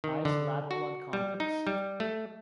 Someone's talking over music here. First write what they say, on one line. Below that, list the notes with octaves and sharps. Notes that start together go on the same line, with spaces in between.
Eyes lateral and convex.
D#3
D3
F#4
G3
D#4
G3
A3